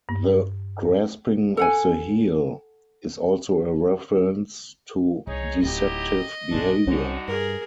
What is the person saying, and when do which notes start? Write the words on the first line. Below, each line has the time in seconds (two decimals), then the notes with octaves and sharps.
The "grasping of the heel" is also a reference to deceptive behavior.
0.09 G2
1.57 A4 F#5 G#5
5.27 C2 D#4 G#4 C#5
5.62 D1 F#3 D#4 E4 G4 D#5
6.51 A#1 G2 G#3 A3 D4
6.87 C2 D3 G3 C4 C#4 D#4 F#4
7.28 G2 G#4 A#4